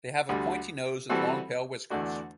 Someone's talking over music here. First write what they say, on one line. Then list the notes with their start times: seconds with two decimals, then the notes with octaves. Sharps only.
They have a pointy nose with long pale whiskers.
0.29 D2 D3 G3
1.09 E3 G3 C4 F#4 A4
1.90 E2 D3 A3 D4 F#4